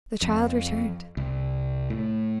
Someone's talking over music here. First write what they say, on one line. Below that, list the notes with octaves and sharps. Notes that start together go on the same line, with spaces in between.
The child returned.
F2
C2
A2